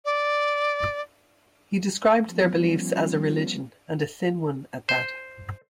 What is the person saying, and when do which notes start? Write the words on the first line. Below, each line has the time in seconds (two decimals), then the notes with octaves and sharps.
He described their beliefs as a religion and a thin one at that.
0.05 D5
2.24 F3 G3 B3 C#4 F4
4.89 C5